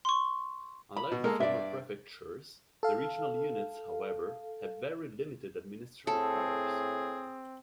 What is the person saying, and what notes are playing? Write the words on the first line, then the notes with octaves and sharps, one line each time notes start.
Unlike the former prefectures, the regional units however have very limited administrative powers.
C6 C#6
B5
B2
G#3 A#3 A4 A#4
G2 D5 E5
A4 F5
A2 C4 G#4 A4